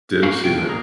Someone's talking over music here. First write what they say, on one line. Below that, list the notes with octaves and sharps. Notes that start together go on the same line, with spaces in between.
Didn't see that.
A#3 C#4 F#4 F5
B2 G5
G2 A#2 E3 F3
A#2 A#3 G#4 A#4